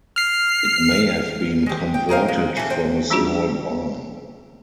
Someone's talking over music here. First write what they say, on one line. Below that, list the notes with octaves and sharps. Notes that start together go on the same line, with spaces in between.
It may have been converted from a small barn.
F6 C7
G#3 G4
G5
G#4 A#4 C5 F5
G#3
E3 A4
C5 G5
G3 C#4 D4 F4 F#4 G#4